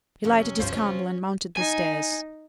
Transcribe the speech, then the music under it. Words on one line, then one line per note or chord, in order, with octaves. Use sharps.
He lighted his candle and mounted the stairs.
F2 C3 C#4
C#2 G2 C4 F4 C5
D#4 G#5